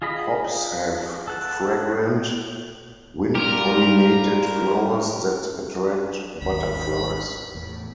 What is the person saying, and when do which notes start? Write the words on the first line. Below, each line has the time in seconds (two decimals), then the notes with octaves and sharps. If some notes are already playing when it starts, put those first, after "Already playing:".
Hops have fragrant, wind-pollinated flowers that attract butterflies.
0.02 F4 G#4 D#5 B5
1.28 A4 F#5 A5
3.35 G3 F4 G4 A#4
6.42 G#1 D#2 B5
7.55 E2 A2